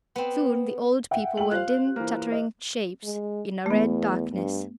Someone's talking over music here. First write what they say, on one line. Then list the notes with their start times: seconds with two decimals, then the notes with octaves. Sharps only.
Soon the old people were dim chattering shapes in a red darkness.
0.16 B3 C4
1.11 E5 F#5 G5
1.37 A3 G5 F#7
1.51 F4 G4 C5 F5 F#6
1.96 E3 A#3
2.32 D#5
3.04 G#3
3.66 E2 A3 B3
4.33 G2